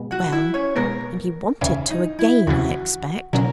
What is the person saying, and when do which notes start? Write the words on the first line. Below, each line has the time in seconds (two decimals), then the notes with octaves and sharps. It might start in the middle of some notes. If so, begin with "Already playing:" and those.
"Well, and he wanted to again, I expect."
Already playing: B2 G#3 B3
0.11 F#4 F#5
0.32 E4 E5
0.54 C#4 C#5
0.76 B2 G#3 B3 A#4
1.61 D#2 C#3 E3 C#4
1.90 D#4
2.19 E4
2.47 D#2 C#3 E3 F#4
3.33 B2 F#3 C#4 A#4